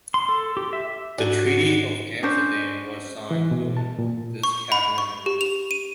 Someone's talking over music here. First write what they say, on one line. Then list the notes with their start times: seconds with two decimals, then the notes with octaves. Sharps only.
The Treaty of Amsterdam was signed during this cabinet.
0.14 C6
0.29 A4
0.57 G4
0.73 E5
1.18 G#2 F#3 D4 F#4
2.23 C#4 D4 C5
3.31 E3
3.51 B2
3.77 A5
3.99 A#2
4.43 C#6
4.72 B5
4.98 C#6
5.26 G4
5.41 F7
5.71 D#7